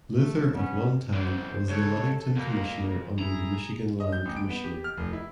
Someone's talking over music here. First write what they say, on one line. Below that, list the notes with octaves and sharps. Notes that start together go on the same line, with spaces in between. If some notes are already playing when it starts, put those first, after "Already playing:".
Luther at one time was the Ludington commissioner under the Michigan land commissioner.
A3
B3 C#4
F#2 E3 C5
C#2 A4 C#5
F2 A#3 A#5
E4 G#4 A#5
D#5
G6
A1
D7
B3
G4
F6
F1
E4